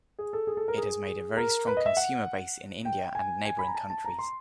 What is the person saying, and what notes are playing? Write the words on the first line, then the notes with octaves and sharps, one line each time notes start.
It has made a very strong consumer base in India and neighboring countries.
G#4
A4
G#4
A4
A#4
G#4
A#4
B4
D#5
E5
F#5
G5
G#5
G#5
B5
A#5
A5
A5
A#5
C6